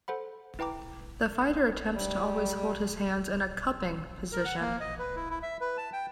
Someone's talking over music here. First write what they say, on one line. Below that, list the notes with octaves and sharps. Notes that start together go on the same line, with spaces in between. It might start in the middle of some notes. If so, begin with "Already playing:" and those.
The fighter attempts to always hold his hands in a "cupping" position.
A4 C5 F#5 B5
E4 B4 G5 A#5 D6
G3
A#4
F#5
A#3
D#5
B4
E4
E4
E5
B4
A5
G5